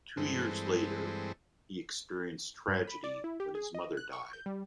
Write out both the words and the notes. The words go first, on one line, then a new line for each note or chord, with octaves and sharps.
Two years later, he experienced tragedy when his mother died.
G2 E3 G#3 C4 A4
G2
B5
D5
E4
G4
G#4
D#5
F#6
C#6
G6
G3